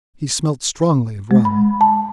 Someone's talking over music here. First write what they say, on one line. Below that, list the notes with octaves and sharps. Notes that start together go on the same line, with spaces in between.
He smelt strongly of rum.
G#3
B5
A5